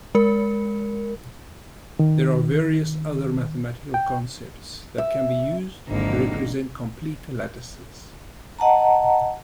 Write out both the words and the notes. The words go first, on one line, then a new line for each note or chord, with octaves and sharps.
There are various other mathematical concepts that can be used to represent complete lattices.
G#3 A#4
D#3
G5
E5
G#1 F2 D3 A#3 D#4
D#5 F#5 A5 A#5